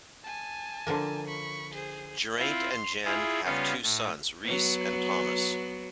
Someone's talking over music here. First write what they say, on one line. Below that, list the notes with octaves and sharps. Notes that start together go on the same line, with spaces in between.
Geraint and Jen have two sons, Rhys and Thomas.
G#5 A5
D3 F3 A#3
B5 C#6
G#4 C5
C4 E4 F4
C6
E4 F4 G#4
C#3 G3 B3 C#4 F4
A2
F#3 B3